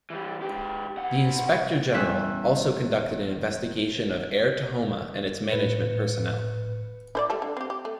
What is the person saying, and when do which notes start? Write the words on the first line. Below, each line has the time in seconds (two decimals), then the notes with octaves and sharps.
The Inspector General also conducted an investigation of Air Tahoma and its management personnel.
0.10 E3 G3
0.42 G#2 G4
0.97 B1 F#5
1.93 E2 G3 C#4 E4 E5 F#6
5.51 A2 B4 C#7
7.15 E4 C5 D5
7.30 G3 A3 A4
7.42 D3
7.57 C4 G4
7.70 G4
7.85 A3